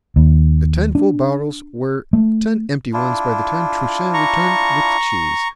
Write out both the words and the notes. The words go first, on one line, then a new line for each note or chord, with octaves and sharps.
The ten full bottles were ten empty ones by the time Truchen returned with the cheese.
D#2
D4
A3
D4 E4 F4
A#5 C#6